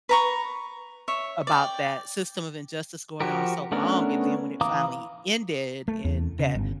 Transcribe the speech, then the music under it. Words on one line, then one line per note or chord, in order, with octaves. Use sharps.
about that system of injustice going on so long and then when it finally ended and that,
B4 A#5 C#6
C#5 E5
D5 G5
F3 F#4 G4 A#4
A3 B3 C#4 D4 A#4
E3 F5 A#5 D6 D#6
A3
E2
C#3
G1